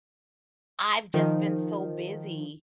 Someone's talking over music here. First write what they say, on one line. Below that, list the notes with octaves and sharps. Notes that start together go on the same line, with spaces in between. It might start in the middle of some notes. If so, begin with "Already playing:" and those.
I've just been so busy,
D#3 F3